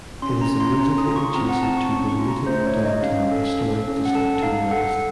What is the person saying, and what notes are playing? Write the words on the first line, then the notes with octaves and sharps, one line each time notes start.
It is immediately adjacent to the Newton Downtown Historic District to the west.
C#4 C6
A#5
C#4
C6
C#4 A#5
D#6
F4
C#6
C4 A#5
F#5
C4 A5
C#6
C#4 C#6
C#6
F4
A#5
A3 C5
C#5
D#4
D#5
C#4 F5
A4
A4
C#4
F#5
A4 A5
D#4 F5
A4 F#5